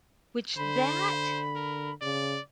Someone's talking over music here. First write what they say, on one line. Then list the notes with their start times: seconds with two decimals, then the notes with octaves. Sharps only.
which that
0.57 D3 C5 B5
1.56 A#4
2.02 C#3 D5